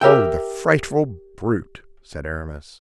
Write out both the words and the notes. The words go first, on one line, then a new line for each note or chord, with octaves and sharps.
"Oh, the frightful brute!" said Aramis.
G4 A#4 E5 G5